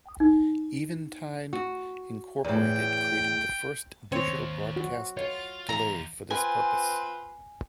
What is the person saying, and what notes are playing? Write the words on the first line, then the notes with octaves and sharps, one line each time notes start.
Eventide, Incorporated created the first digital broadcast delay for this purpose.
D#4
F#4
E2 A2 G5
D#2 A#3 C4 C#5
F#4
F4 C#5
E2 F5 A#5
C4 F4 B4 G#5